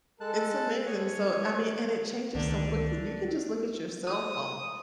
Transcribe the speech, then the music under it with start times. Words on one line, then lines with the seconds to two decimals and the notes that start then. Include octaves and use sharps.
It's amazing, so, I mean and it changes so quickly; you can just look at your cell phone.
0.21 G#3 A4 A5 F#6
0.87 G#2 D3 G#4 C#5
2.35 C#2 D3 D#3 A3
4.07 D#6